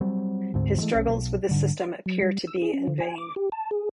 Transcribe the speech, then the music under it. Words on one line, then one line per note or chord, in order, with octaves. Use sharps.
His struggles with the system appear to be in vain.
F#3 G3 C4
D2 G#2 C4
E3 G#3 A3
B1 C#4
B1
G#2 D3 G3
F#3
G3
E6
G#4
C#4
D3
G#5
D6
G4
A5
G#4